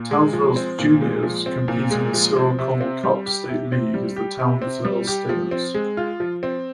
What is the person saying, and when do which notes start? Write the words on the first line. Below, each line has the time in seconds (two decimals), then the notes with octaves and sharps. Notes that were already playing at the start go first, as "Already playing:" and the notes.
Townsville's juniors compete in the Cyril Connell Cup state league as the Townsville Stingers.
Already playing: A#2
0.11 G#3
0.33 F3
0.56 C4
0.78 A#2
1.01 G#3
1.23 F3
1.46 C4
1.68 A#2
1.91 G#3
2.14 F3
2.37 C4
2.59 C3
2.81 C4
3.04 G3
3.26 G4
3.49 C3
3.72 C4
3.94 G3
4.16 G4
4.39 C3
4.62 C4
4.85 G3
5.07 G4
5.29 F3
5.51 C4
5.74 G#3
5.97 F4
6.20 F3
6.43 C4